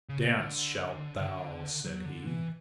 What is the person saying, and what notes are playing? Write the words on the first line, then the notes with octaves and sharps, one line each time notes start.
"Dance shalt thou!" said he.
C#3
B2
D3
D3
F#3
D3
E3